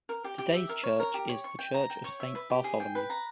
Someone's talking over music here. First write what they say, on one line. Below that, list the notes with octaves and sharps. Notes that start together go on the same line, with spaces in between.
Today's church is the Church of Saint Bartholomew.
A#4
G4
G4
E5
A#4
C#5
A#4
G4
C#5
C#6
G5
A#5
G5
C#5
E5
B4
G4
G#4
G5
B4
A#5